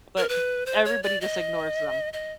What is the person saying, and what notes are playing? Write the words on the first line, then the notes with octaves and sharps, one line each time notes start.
but everybody just ignores them.
A#4
B4
C5
C#5
D5
D#5
D#5